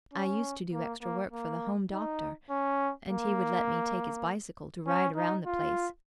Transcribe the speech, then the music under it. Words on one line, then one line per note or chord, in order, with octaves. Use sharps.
I used to do extra work for the Home doctor, and he would let me take his bicycle to ride around the place.
C#4
A#3
A#3
A#3
D#4
C#4
A#3
C#4
D#4
F4